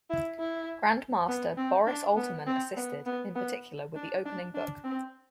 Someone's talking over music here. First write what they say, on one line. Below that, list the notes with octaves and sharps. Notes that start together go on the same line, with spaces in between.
Grandmaster Boris Alterman assisted, in particular with the opening book.
E4
E4
B3
C4
D4
B3
C4
B3
B3
B3
D4
D4
D4
C4